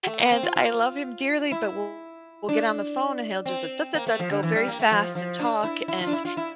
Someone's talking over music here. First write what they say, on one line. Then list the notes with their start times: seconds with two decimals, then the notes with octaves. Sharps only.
and I love him dearly, but we'll we'll get on the phone, and he'll, just, "Da, da, da" go very fast and talk and
0.07 A3
0.20 A#3
0.31 C4
0.43 F4
0.56 F4
1.52 E4
2.49 D4
3.46 C4
3.94 A#3
4.07 A3
4.19 F3
4.31 D3
4.43 E3
4.55 G3
4.67 A#3
4.80 A3
4.91 F3
5.15 F3
5.39 D4
5.64 E4
5.88 E4
6.01 F4
6.07 D4
6.13 E4
6.25 F4
6.37 E4